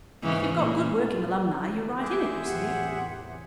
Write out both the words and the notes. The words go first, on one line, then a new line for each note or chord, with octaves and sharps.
If you've got good working alumni, you're right in it, you see.
G#2 C#3 E3
A#2
G#4 C5 E5 D6 F#6
E2 A2 C3 G4 F#5